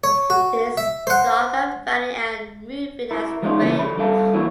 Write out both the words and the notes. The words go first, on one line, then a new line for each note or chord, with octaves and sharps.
It is dark and funny and moving and strange.
C#5
F#4
E5
C5 F#5
E4 A#4
F3 G#3 B3 C#4 D#4 F4
C#3 E3 A#3 C#4
D3 F3 B5
G2 A4 E5 F5 A5
E3 F#3 A#3 E4 F#4